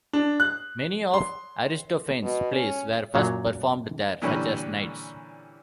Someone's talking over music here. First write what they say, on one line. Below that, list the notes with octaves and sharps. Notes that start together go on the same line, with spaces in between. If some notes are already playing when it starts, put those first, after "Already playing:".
Many of Aristophanes' plays were first performed there, such as 'Knights'.
D4
F#6
C6
B2
C#4
F#2 A#2 F#3 C#5
A#2 D3 E3 G3 C#4